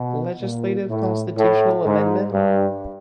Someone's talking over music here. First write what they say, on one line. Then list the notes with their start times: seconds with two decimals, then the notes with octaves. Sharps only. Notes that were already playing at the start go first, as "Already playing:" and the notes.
Legislative Constitutional Amendment.
Already playing: B2
0.41 A#2
0.89 A2
1.36 A2
1.85 G#2
2.32 G2